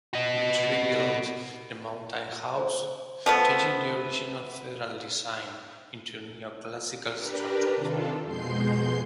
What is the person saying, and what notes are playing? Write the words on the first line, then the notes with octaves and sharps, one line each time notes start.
Beach rebuilt the Mountain House, changing the original Federal design into a neo-classical structure.
F#4 D#5
C5
F3 A3 B3
D4 G4 A#4 B4
C3 D#3 D4 F4 A4
F2 B2 G#3 C6 G6 C7